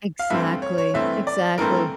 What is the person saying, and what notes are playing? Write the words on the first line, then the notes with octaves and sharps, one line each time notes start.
Exactly, exactly.
F5
G2 E3 A3 C4 E5
C#5
C#5
G2 E3 A3 C4 E5
D5
G2 E3 A3 C4 A#4